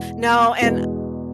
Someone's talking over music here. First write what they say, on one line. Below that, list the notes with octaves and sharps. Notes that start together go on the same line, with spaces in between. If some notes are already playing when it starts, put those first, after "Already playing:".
No, and,
Already playing: E2 B2 G#3 B3 F#4
E2 B2 G#3 B3